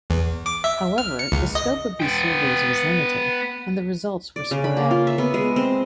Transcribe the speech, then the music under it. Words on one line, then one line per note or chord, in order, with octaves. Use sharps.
However the scope of these surveys was limited and the results were sporadic.
E2
D6
E5
F6
C#7
C#2
D#5
B3 G5
D5
C#3
B5
A#3
F4
E5
B3
G#3
C4